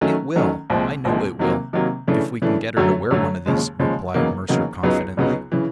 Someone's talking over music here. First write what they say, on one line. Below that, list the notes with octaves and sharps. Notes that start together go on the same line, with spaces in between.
"It will, I know it will!--if we can get her to wear one of these," replied Mercer confidently.
D#3 F#3 A3 C#4
D#3 F#3 A3 C#4
C2 A#2 F3 G#3 C4
C2 A#2 F3 G#3 C4
C3 D#3 F#3 A#3
C3 D#3 F#3 A#3
C#3 E3 A3 D4
C#3 E3 A3 D4
F#2 D3 F#3 A3
F#2 D3 F#3 A3
D#2 C#3 F3 G#3
D#2 C#3 F3 G#3
E2 C#3 F#3 A#3 D#4
E2 C#3 F#3 A#3 D#4
C#2 C#3 F#3 B3 D#4
C#2 C#3 F#3 B3 D#4
C#3 E3